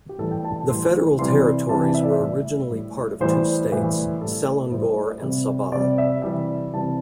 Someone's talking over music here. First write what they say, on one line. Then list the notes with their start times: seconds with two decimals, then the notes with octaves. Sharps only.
The federal territories were originally part of two states - Selangor and Sabah.
0.09 G4
0.18 A2 E3 G3 A4
0.31 G5
0.44 A5
0.56 A5
0.69 A2 E3 G3 C6
1.19 C3 E3 G3 C6
1.69 C3 E3 G3 A5
1.94 E5
2.03 D5
2.13 E5
2.20 A2 G3
2.71 A2 G3
3.20 A2 E3 G3 C5
3.71 A2 E3 G3
4.21 A2 G3 A4
4.72 A2 G3 C5
5.22 C3 G3
5.72 C3 G3 D5
5.98 E5
6.22 C3 E3 G3 E5
6.73 C3 E3 G3 A5